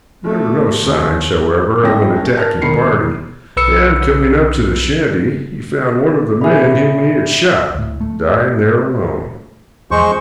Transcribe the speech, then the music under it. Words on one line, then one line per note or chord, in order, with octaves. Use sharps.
There were no signs, however, of an attacking party, and, coming up to the shanty, he found one of the men whom he had shot dying there alone.
A3
D#2
F#1 C#3 G3 E4 G5 A#6
C#4
A#4 A5 F6
E1 D#3 B5 C7 C#7
B1 B4 E6 C#7
A#2 G#4 E5 B5
D2 A2
A3
E2 F3 G#3 C5 C#6